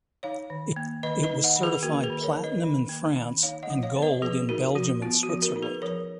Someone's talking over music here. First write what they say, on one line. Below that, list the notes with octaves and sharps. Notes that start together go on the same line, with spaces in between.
It was certified Platinum in France and Gold in Belgium and Switzerland.
D#4 C#5 F5
D#3
A#3
D#3 B4 D#5
B4 D#5
D#4
D#5 F#5
D#3
G#4 B4
A#3 F#4 A#4
G#4 B4
D#3
A#4 C#5
D#4
B4 D#5
D#3
A#3
D#3
D#4 C#5 F5
D#5 F#5
F3
C#5 F5
B3
B4 D#5
F3 G#4 B4
D#4 F#4 A#4
F3 F#4
B3 F4
F#4
F3
F#4 A#4
D#4
G#4 B4
F3 A#4 C#5